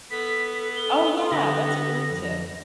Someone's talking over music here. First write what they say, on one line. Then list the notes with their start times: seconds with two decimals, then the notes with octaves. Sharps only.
Oh yeah, that's a great tip.
0.11 B3 A4 B6
0.76 G7
1.31 D3 G4 A#6
2.11 F2